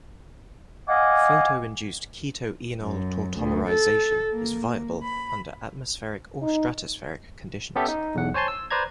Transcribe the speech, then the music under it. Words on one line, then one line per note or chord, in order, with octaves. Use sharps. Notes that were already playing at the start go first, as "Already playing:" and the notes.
Photo-induced keto-enol tautomerization is viable under atmospheric or stratospheric conditions.
D#5 F5 F#5 G#5 D6
F#2
D2
A4
A#3
B5
D#4
B3 C#4 G4 A4 E5
D#4
B1 E2 F#5
C5 C#5 G#5 A5 C6
E6
B4 C5 D5 A#5 G#6